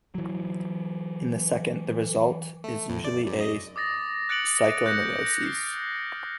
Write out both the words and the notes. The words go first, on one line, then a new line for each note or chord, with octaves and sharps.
In the second the result is usually a psychoneurosis.
E3 F#3
A3
F2
D5
F#2
D#5
D6 D#6 A6 A#6
F#6 A6 C#7 D7 F7 F#7
F#6 G6 A6 A#6 C#7
F6 A#6 C7 C#7